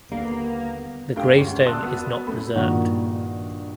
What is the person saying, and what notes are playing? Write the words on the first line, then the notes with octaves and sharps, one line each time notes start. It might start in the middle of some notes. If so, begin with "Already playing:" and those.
The gravestone is not preserved.
D#2 D3 G3 A#3 B3
G2 A3 F5 G5
D2 G#3 C#4
D5 A5 C6 D#6 E6 F#6
B3 F#4
F#2 A3 B5
G2 A#2 D#3 F#4